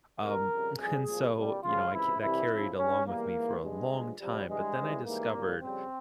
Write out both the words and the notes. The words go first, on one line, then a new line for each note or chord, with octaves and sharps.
Um, and so, you know, I that carried along with me for a long time, but then I discovered,
C2 A#2 G3 A#4
F2 C#3 G3
F2 E3 G3 G#4
C2 A#2 F3
C2 A#2 G3
C#2 C#3 F3 F4
C#2 C3 E3 E4
C2 C3 E3 G3 E4
F2 C#3 F3
G#2 G3 C#4
E2 E3 G3 A#3
G#2 E3 G3
G2 G3 G#3
G2 F3
C2 C3 F3 G3
G2 E3 G3 G#3
C2 C3 E3 G3
G#2 E3 G3 A#3
C2 A#2 G3
F2 C#3 G3 C4